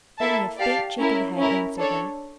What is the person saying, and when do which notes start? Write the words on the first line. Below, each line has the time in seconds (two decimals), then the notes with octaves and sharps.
Only a faint shake of the head answered her.
0.18 A#3 E4 A4 E5 A5
0.58 G4 D5 F5 A5
0.98 C#4 E4 A#4
1.38 C#4 E4 A#4
1.79 D4 A4 C#5